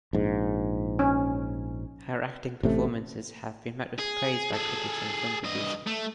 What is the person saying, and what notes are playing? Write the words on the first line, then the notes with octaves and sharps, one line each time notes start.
Her acting performances have been met with praise by critics and film producers.
A#1 G#2
C#4
A1 C3 A3
G#4
G#4 A4
G2 D#5
A3